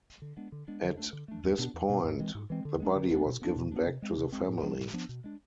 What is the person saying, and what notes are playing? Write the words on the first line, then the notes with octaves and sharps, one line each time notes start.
At this point, the body was given back to the family.
D3
G#3 B3 D4
D3
G#3 B3 D4
D3
A3 D4
D3
A3 D4
E2
B2 B3 D4
E2
B2 B3 D4
G#2
E3 G#3 C4
G#2
E3 G#3 C4
D3
G#3 B3 D4
D3
G#3 B3 D4
B2
B3 D4
B2
B3 D4
C3
G#3 C4
C3
G#3 C4
A2
F3 B3 D4
A2
F3 B3 D4
B2
G#3 D4